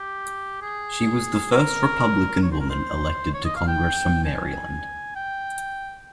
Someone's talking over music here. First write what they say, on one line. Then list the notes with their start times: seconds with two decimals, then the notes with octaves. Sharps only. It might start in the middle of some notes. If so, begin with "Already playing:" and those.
She was the first Republican woman elected to Congress from Maryland.
Already playing: G4
0.61 G#4
1.52 A#4
2.43 C#5
2.52 C5
2.60 A#4
2.69 C5
3.34 C#5
3.45 D#5
3.56 F5
3.68 G5
4.25 G#5
5.16 G5